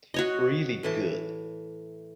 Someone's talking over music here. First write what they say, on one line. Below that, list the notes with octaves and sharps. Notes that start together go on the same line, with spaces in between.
Really good.
F#4 C#5 D#5
A2 E3 A5